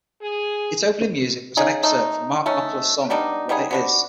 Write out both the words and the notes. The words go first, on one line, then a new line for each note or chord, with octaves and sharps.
Its opening music was an excerpt from Mark Knopfler's song What It Is.
G#4
C#3 D#4 G#4
A3 D#4
A3 C#4 D#4
G3 B3 D4 D#4
G3 B3 D#4 G#4
B3 D4 F#4